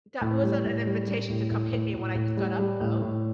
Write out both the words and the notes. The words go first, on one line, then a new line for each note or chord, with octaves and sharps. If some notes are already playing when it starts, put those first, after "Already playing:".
“That wasn't an invitation to come hit me when I just got up, though.”
A2
G3
A2
G3
G3
A2
A2
A2
A2
A2
G3
G3
A2
A2